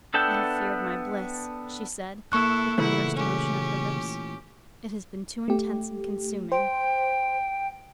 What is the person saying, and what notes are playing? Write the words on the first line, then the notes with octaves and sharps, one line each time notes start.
"I have feared my bliss," she said, with the merest motion of her lips. "It has been too intense and consuming."
B3 D4 A4 E5 G5
F1 A#3 E4 A4 C#6 F#6
A#2 C#3 E3 A3 E4 F#5
C#4 G4
A3 G4
C5 G5